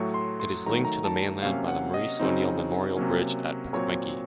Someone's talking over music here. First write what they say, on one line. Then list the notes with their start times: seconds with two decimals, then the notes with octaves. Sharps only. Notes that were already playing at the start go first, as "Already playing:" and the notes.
It is linked to the mainland by the Maurice O'Neill Memorial Bridge at Portmagee.
Already playing: A2 F#3 A3 C#6
0.14 C6
0.40 C6
0.66 D#3 F#3 A3 A#5
0.85 A#5
1.05 A5
1.42 C3 F#3 A#3 C#4 F5
1.68 F#5
1.94 D#5
2.20 C#3 F#3 C4 D#4
2.97 C3 F#3 A#3 C#4
3.74 A#2 F#3 C4 C#5